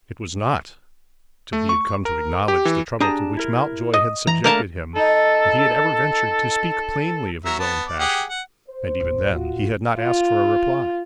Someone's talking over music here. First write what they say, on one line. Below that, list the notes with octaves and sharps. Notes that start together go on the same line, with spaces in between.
It was not till he had come to acknowledge the trouble to which Mountjoy had subjected him that he had ever ventured to speak plainly of his own passion, and even then he had not asked for a reply.
A3
C#6
A#4
G4
E3
D4 G4 G#4 A5 A#5
E4 A#4
D#5
E3 A#5
A3 A#3 D4 A4 A#4 A5
D#4 A4
F#3 A#4 E5
B3 A5
D5
G4 G#4 F#5
F#5
C5
D#1 A1
F4 F#4
F4